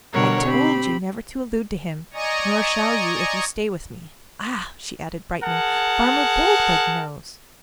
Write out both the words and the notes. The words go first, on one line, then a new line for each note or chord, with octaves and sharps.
"I told you never to allude to him, nor shall you if you stay with me. Ah!" she added, brightening, "Farmer Boldwood knows!"
B2 D3 G3 A#4 C#5 F#5
C4 G4 B5
D5 D#5 G#5 A#5 C#6 D#6
G#4 A#4 F#5 A5